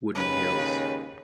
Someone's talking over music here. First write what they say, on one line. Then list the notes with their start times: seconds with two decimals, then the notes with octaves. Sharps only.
Wooden hills.
0.15 D#2 G#2 C#3 B4